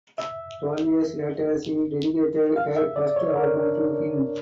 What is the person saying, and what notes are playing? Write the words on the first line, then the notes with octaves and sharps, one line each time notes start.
Twelve years later she dedicated her first album to him.
E5
F5
E5
D5
C#5
A#4
D4